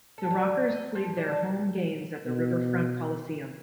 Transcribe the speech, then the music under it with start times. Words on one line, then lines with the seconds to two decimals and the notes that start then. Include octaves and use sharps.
The Rockers played their home games at the Riverfront Coliseum.
0.18 A4
0.30 D3
0.72 D#5
0.95 F3
1.17 D4
2.27 B2